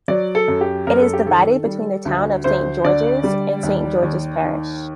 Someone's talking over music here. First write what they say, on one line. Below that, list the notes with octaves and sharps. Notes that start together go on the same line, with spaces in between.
It is divided between the town of Saint George's and Saint George's Parish.
F#3 D5
A4
F#2
G4
F#2 A#4
A4
G4
D#3 A4
G3
D2
D2 C5
D3 D5
G3
D#2
D#2
D#3